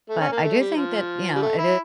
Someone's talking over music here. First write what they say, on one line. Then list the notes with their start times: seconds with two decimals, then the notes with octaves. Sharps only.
but I do think that, you know, it
0.09 A3
0.21 C#4
0.32 A#3
0.44 A3
0.60 G3
0.76 F3
1.35 G3
1.42 A3
1.59 E4